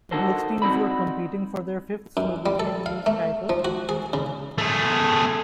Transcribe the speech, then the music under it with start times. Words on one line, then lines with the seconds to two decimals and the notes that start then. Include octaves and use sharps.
Both teams were competing for their fifth Slovenian League title.
0.11 D4 D#4 F#4 A4 A#4 C5
0.62 C4 D#4 F#4 D5 B5
2.17 F#2
2.46 G3
2.60 A4
2.86 F5
3.06 A3
3.49 F3
3.65 F#4
3.89 G#4
4.13 C#3
4.58 A3 G#4